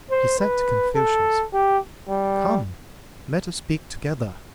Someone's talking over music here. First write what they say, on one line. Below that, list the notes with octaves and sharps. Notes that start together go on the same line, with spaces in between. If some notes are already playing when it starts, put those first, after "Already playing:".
He said to Confucius, Come, let us speak together.
C5
B4
A4
G4
G3